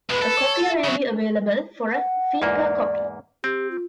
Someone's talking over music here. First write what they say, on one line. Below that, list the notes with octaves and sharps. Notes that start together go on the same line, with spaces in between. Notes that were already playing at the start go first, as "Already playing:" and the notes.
A copier may be available for a fee per copy.
B2 G#3 B4
A4
C#5
E5
C#3 F#3
F#5
E2 G#2 A#3 D5
C4 G4
F4